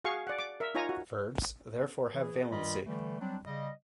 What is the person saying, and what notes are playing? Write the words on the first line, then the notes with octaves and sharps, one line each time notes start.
Verbs therefore have valency.
F#4 G#4 F5 C#6
D5 F#5
D6
A#4 E5
D#4 F4 C#5 G#5 A#5
F#4
E3 G#4
G2 D#3 G3 F4 D#5 B5
D3 E3 G3 A3
F#3 G3 C4 D4
C#3 G3 D#5